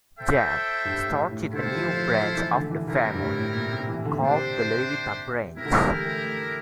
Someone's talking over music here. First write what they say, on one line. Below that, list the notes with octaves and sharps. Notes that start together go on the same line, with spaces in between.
Jan started a new branch of the family, called the "Leliwita branch".
E4 A4 C5 E5 G5
G2
A2
A2
D3 E4 A4 C5 F5
G3
F3
F3
F3
E3
D3
E3
D3 G3 C4 E4 A#4
C3
G2
A2
A2
A#2
C3
E3
D3
A#2
C3 D4 G4 C5
C3 E4 G4 A#4
D3
E3
G3
A3
A3